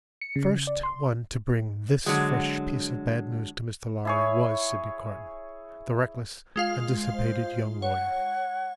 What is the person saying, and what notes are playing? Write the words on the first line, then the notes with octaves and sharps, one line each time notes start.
The first one to bring this fresh piece of bad news to Mr. Lorry was Sydney Carton, the reckless and dissipated young lawyer.
C#7
C#3
D5
C6
D3 F#3 G#3
E4 G#4 C#5
G#3 F4 F5
C5
C#5 F#5